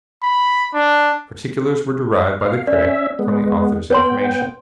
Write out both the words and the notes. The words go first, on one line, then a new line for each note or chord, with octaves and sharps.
The particulars were derived by the critic from the Author's information.
B5
D4
F5
C#4 D5 E5
G#3 B3
B3 B4 C#5 G5 C6